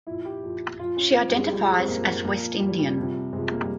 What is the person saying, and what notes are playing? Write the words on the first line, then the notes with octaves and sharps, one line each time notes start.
She identifies as West Indian.
A#2 F3 E4
G4
A#2 F3
A#2 F3 F4
C#4
A#2 F3 C4
G3
G#3
A#2 F3 G3
G#3
G4
C4
A#2 F3 A#3
A#3
A#2 F3 A#3
A#2 F3 G3
G3
C3 F3
C3 F3 G#3
A#3
G3